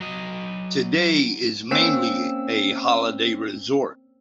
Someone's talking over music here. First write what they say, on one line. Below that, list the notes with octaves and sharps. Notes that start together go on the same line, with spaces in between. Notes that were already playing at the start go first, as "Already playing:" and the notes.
Today it is mainly a holiday resort.
F#3 D#5
A#3 C4 C#4 E6